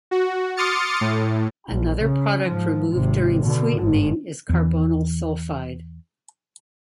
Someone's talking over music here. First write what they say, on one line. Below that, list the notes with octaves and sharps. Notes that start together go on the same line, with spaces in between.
Another product removed during sweetening is carbonyl sulfide.
F#4
C6 D6 D#6 F6 A6 C#7
A2
A#1
C#3
G#2 F3
G#1 C3
B2 D3
G1 G#2
E2 E3